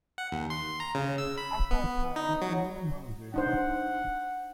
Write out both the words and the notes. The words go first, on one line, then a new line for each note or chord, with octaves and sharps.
At that time Neal Moser retired.
F#5
D#2
C6
A#5
C#3
E6
B5
B3
D#4
F#3
D4 D#4 C5 F#5